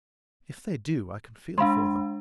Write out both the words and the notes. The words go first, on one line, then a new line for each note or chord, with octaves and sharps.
If they do, I can feel for them.
G#3 D4 F5 B5 C6